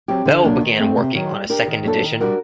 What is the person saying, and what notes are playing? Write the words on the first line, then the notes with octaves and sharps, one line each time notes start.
Bell began working on a second edition.
F#3 C4 G4
D3
F#3 A#3 D4
D#3
A3 C4
C3
D#3 F#3
G3
D4 G4 A#4
D#3
F#3 A#3 D4 A4
D#3
G3 D4 F#4 A#4